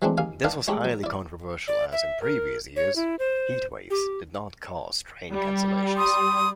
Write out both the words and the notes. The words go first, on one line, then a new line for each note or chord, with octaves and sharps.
This was highly controversial as, in previous years, 'heatwaves' did not cause train cancellations.
E3 F#3 G#3 A3 C4 D4
D#2 F5 G#5
D#3 D4 B4 D#5 F5
G#3 A3 D#4 G4 C#5
F#3
E4 D5
D5
E5
A#4
C#5
E4
C5
G4
G3
C6 D#6